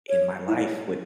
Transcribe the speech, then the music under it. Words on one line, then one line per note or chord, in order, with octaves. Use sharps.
in my life, what
C#5
E4